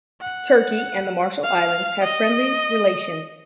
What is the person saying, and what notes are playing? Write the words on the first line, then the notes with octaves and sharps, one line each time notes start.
Turkey and the Marshall Islands have friendly relations.
F#5
F5
D#5